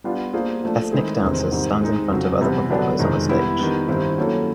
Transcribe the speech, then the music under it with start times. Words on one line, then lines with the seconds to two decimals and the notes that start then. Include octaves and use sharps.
Ethnic dancer stands in front of other performers on a stage.
0.04 G3 B3 D4 F4
0.33 A#3 D4 F4 G#4 C5
0.64 F3 A3 D4
0.92 D#3 G#3 C4 E4 G#4
1.22 E2 C3 D#3 G#3 C4
1.51 G#2 D#3 G3 C4
1.81 G#3 C4 D#4
2.11 F2 C#3 F#3
2.41 C3 E3 G3 B3
2.70 D3 F#3 B3 D4
2.99 F2 C3 D#3 G#3
3.29 G3 B3 E4
3.59 D#3 G3 B3
3.88 G2 D#3 G3 C4 E4
4.18 F#3 A#3 C#4 E4 A4